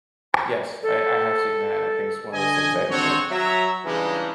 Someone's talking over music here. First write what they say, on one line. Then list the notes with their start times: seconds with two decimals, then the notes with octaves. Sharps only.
Yes, I I have seen that, and I think it's one of those things that, you know
0.83 A4
2.33 D3 D#5 G#5
2.90 C4 D4 F#4 C5 C#5
3.30 F#3 E5 A#5
3.85 C#3 E3 G3 G#3 D4 D#4